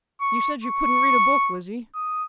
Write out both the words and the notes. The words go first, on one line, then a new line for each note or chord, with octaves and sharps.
'You said you couldn't read a book, Lizzie.
C#6
C#6
D#6